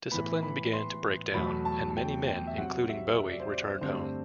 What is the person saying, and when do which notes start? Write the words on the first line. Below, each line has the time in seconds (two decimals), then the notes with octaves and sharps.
Discipline began to break down, and many men, including Bowie, returned home.
0.11 A2 E3 B3 B5
0.43 B5
0.73 C6
1.34 E2 B2 F#3 A3 B5
1.65 A5
1.90 A5
1.97 G5
2.27 G5
2.47 E5
2.58 C3 F#3 C4 F#5
2.89 E5
3.19 E5
3.29 D5
3.40 C5
3.49 D5
3.81 G2 D3 A3 C4 C5